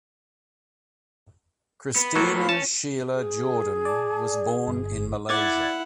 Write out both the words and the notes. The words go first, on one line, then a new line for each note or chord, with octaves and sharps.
Christina Sheila Jordan was born in Malaysia.
B3
A2 F#3 A#3 B3 A4
C#4 A5
G#4
D5 A5
G1
E4 D5 F#5 G#6 A6